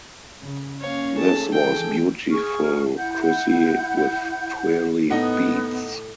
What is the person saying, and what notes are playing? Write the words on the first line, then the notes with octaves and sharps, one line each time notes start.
This was "Beautiful Crissy with Twirly Beads".
C#3
A#3 C#4 C#5 F5
G#4 A4 A5
E3 G5
G#4 C#6 F6
E4 F#5 G6
A2 B3 D#4 D#5 F#5